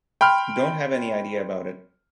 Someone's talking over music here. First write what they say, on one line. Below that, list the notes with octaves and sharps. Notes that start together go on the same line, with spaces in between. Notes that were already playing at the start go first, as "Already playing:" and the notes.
Don't have any idea about it.
G5 B5 C6 F6